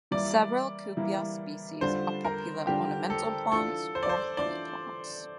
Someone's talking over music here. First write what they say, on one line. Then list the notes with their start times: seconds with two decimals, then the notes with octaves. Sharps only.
Several "Cuphea" species are popular ornamental plants or honey plants.
0.11 E3 G3 A#3 E4 D5
0.97 E3 G3 A#3 E4
1.81 D3 G3 D4 F4 C5
2.25 A#4
2.67 D3 G3 D4 F4 G4
3.10 A4
3.52 E3 A3 D4 F4 A4
3.95 C5
4.03 D5
4.09 C5
4.37 E3 A3 D4 F4 D5